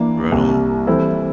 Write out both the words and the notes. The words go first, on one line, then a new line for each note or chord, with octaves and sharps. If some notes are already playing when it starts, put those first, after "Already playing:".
Right on.
Already playing: E3 A#3 D4
C2 C3 G3 A#3
E3 G3 C4 E4 A4